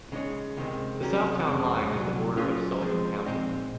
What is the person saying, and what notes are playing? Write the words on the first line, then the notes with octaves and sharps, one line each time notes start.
The south town line is the border of Sullivan County.
C#3 G#3 D#4 G#4 C#5
C#2 C3 D#3 G#3 C4
C3 F#3 C#4 F#4 A#4
F2 C#3 G#3 C4
C2 A#2 F#3
C#3 F#3 C#4 F4 G#4
F3 G#3 C4
A#2 G#3 C4 D#4